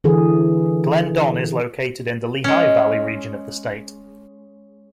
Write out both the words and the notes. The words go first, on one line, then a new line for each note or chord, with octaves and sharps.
Glendon is located in the Lehigh Valley region of the state.
D3 E3 G#4
G#3 C#4